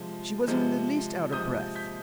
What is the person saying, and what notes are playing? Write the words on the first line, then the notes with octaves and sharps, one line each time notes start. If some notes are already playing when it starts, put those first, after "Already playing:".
She wasn't in the least out of breath.
Already playing: C3 F3 G#3
C3 F3 G#3
C3 F3 G#3 D#6 G6
G6 B6